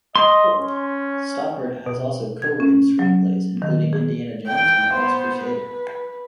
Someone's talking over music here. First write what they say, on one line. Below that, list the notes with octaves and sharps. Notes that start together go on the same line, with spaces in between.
Stoppard has also co-written screenplays including "Indiana Jones and the Last Crusade".
D#5 C6
C#4
B2
G#6
C#4
F#3
D#3
G#4
G5
B3 C5
B4